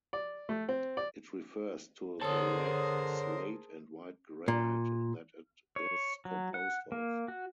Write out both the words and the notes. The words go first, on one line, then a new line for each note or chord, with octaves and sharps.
It refers to the red slate and white granite that it is composed of.
D5
A3
C4
D5
D3 G#4 A#4 C5 C#5 A5 D#6
A#2
C#5
F#3
F#5
A#3
F#4